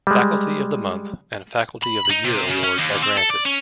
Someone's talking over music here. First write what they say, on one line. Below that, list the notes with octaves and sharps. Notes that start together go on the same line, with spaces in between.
Faculty-of-the-month and faculty-of-the-year awards are granted.
G3 G#3
B5
D#4
C3
C#3
C#4
D#2
C4
A4
D5
C#4